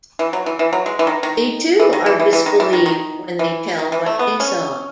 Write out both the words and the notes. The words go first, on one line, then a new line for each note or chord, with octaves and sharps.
They, too, are disbelieved when they tell what they saw.
E3
F#3
E3
E3
F#3
G#3
E3
D#3
D#3
E3
D#3
E3
E3
E3
D#3
E3
D#3
D#3
E3
D#3
E3
A3
B3
C#4